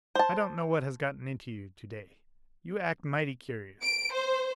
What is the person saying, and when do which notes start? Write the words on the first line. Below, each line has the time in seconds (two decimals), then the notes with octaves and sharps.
I don't know what has got into you to-day; you act mighty curious.
0.15 C5 A5
3.81 D7
4.13 C5